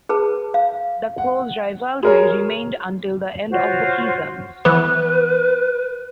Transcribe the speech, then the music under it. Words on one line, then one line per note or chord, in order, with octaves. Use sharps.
The close rivalry remained until the end of the season.
G#4 B4 A5
F5
F#5
F#4 G#4 A#4 C#5 A#5
F4 F#4 C5 C#5
E3 B3 B4